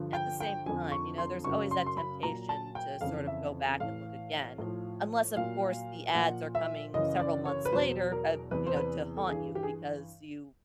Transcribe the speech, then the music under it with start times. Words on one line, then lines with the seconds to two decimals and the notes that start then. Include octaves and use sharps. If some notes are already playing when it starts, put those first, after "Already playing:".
at the same time, you know, there's always that temptation to sort of go back and look again. Unless, of course, the ads are coming several months later, uh, you know, to haunt you because you
Already playing: G2 D3 F3
0.13 G5
0.40 G5
0.66 F2 D3 F3 G#5
0.92 C#6
1.18 C6
1.44 F#2 C#3 F#3 C#6
1.71 C6
1.86 C6
1.97 B5
2.23 A#2 F#3 A#5
2.49 A5
2.75 G5
3.01 F2 C#3 E3 F5
3.27 E5
3.80 A2 E3 F5
4.58 A2 F3
5.37 A#2 F#3 F5
6.15 A#2 F3 F#5
6.55 E5
6.94 F#2 C#3 E3 D#5
7.20 D5
7.45 C#5
7.65 B4
7.72 E2 B2 F#3 C5
8.12 A#4
8.51 E2 C3 E3 B4
8.67 C5
8.77 B4
9.17 A4
9.29 G2 E3 G#4
9.55 G4
9.63 G#4